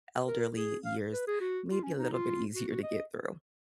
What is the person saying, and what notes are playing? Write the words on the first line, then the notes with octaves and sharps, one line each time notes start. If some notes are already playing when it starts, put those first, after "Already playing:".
elderly years, maybe a little bit easier to get through.
A#4
G#4
F5
B4
G#4
F#4
F4
C#4
D#4
F4
F#4
F#4
D#5